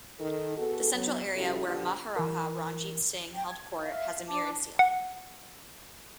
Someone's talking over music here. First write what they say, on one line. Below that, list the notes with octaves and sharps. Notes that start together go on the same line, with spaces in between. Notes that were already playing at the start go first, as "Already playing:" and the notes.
The central area, where Maharaja Ranjit Singh held court, has a mirrored ceiling.
D#3 D#4 A4
B3 F#4 G#4 A4
F#3 B3
C#3 G3 E4 F#4 G4 A4
B2 D3 F3 F4 G4
E3 A#4
G5
G#6
E5 F5
D4 A5 D6
F#5